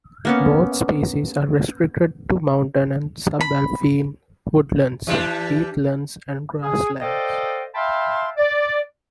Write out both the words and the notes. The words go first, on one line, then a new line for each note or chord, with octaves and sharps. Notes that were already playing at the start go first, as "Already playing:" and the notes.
Both species are restricted to mountain and sub-alpine woodlands, heathlands and grasslands.
A#3 B3 C#4
B5
E3 G3 D4
G#4
A4 C5 D5 D#5 F5 G5
E5 F5 G5 A5 B5 C6
D5